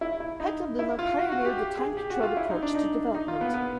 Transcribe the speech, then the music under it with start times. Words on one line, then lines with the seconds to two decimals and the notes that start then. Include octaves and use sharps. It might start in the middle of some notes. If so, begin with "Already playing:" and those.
Petaluma pioneered the time-controlled approach to development.
0.01 E4
0.20 E4
0.40 D#4
0.79 E4
0.99 F4
1.18 F#4
1.32 F#4
1.45 G4
1.58 G4
1.77 G#4
1.97 G4
2.10 F#4
2.23 F4
2.37 E4
2.50 D#4
2.62 D4
2.75 D#4
3.15 D#4
3.28 F4
3.41 B3
3.54 B3